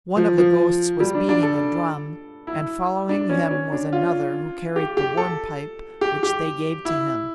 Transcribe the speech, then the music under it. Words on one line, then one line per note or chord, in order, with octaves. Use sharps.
One of the ghosts was beating a drum, and following him was another who carried the Worm Pipe, which they gave to him.
F3
F3
G3
D4
D4
A4
E4
D4
C#4
C#4
D4
F4
G4
G4
A4
G4
G4
E4